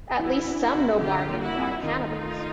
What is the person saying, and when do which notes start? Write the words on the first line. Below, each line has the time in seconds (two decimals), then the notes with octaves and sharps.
At least some nobargans are cannibals.
0.19 E3 E4 F#4
0.47 D4
0.61 E4 F#4
0.74 C3
1.01 D3 F4 G4
1.28 A#3
1.42 E4 F#4
1.56 F2
1.83 D#3 D#4 F4
2.10 A3